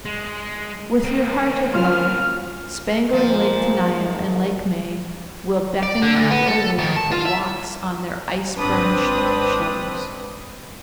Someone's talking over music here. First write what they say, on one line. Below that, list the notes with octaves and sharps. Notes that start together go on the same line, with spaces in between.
With your heart aglow, spangling Lake Tenaya and Lake May will beckon you away for walks on their ice-burnished shores.
G#3
A#3 C4
C#4 F4 F6
A#2 F3 C5
G#1
D5
D3
D2
B3
A4
D#3
A5
F4
E5
G#1 C4 D4 B4 D#6